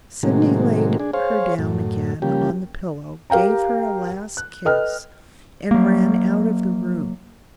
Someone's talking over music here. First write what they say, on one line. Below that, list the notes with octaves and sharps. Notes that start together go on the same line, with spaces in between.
Sydney laid her down again on the pillow, gave her a last kiss, and ran out of the room.
A2 C3 D#3 F#3 G#3 A#3
D4 G#4
G#4 C5 C#5 F5
F#2 A2
C#3 F3 G3 A#3 G4
G4 A#4 F5 G5 A#5
F#6
A4 B4 D#5 G5 F6
F#3 A#3